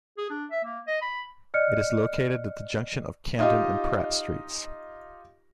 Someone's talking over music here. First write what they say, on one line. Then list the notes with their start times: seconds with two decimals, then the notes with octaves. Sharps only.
It is located at the junction of Camden and Pratt Streets.
0.18 G#4
0.30 D4
0.51 E5
0.65 A#3
0.87 D#5
1.02 B5
1.54 D5 D#5 F6 F#6 C#7
3.39 D#4 F4 G4 D#5